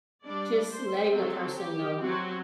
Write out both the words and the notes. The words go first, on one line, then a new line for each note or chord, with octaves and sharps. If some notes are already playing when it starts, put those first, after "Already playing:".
just letting a person know.
G3 D4 D5
C5
F#3 C4 A4
G4
F#3 C4 F#4